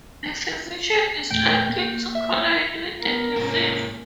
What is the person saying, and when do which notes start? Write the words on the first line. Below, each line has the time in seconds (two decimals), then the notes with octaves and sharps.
The physician is likely to collide with the disease.
1.31 E2 A#2 A3 G5
1.70 A#3
2.15 E5
3.01 B3 A#4
3.36 G#2 A#3 C#4